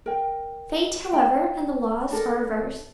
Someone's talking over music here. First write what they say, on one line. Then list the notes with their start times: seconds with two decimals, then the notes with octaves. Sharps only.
Fate, however, and the laws are averse.
0.06 A#4 G5
1.13 G5
2.11 D4 A4 A#4